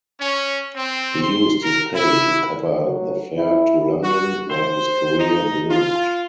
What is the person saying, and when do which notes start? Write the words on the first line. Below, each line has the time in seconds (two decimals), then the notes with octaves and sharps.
He used his pay to cover the fare to London where his career bloomed.
0.20 C#4
0.75 C4
1.21 C6
1.62 A#4
1.93 E4
2.83 F#3
3.36 E4
4.03 F#4
4.50 C5
5.19 D#4
5.70 F4